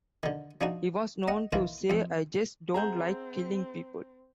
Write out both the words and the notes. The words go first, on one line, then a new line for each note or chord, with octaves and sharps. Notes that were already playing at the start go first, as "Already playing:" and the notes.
He was known to say I just don't like killing people.
D3 D#3
F3 D4 D#4 F#4
D#5 F#5
D#3 E3 A#3 E4 F4
F2 C4
C4 G#4 E5 F#5 A#5 G6